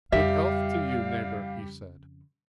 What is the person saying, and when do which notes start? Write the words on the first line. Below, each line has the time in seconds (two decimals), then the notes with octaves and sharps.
"Good health to you, neighbour," he said.
0.12 F2 C#3 G3 E4 G4 D5 E5 F5